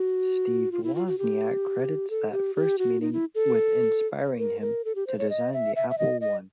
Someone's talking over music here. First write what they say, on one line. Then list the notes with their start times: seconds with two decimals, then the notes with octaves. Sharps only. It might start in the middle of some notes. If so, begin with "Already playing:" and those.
Steve Wozniak credits that first meeting with inspiring him to design the Apple I.
Already playing: F#4
0.72 F4
0.84 E4
0.95 F4
1.07 F#4
1.19 G4
2.10 A4
2.32 G4
2.55 G4
2.79 F#4
3.01 D#4
3.13 E4
3.35 A4
4.39 A#4
4.61 A#4
4.85 A4
4.95 G4
5.07 C5
5.18 C#5
5.30 D#5
5.53 E5
5.76 E5
5.90 E5
5.98 D#5
6.21 D#5